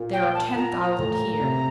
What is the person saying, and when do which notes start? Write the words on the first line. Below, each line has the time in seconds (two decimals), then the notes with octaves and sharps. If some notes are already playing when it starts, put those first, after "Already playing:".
There are ten thousand here.
Already playing: A#2
0.13 G5
0.34 A5
0.56 A#2 A#5
0.99 A2
1.41 C3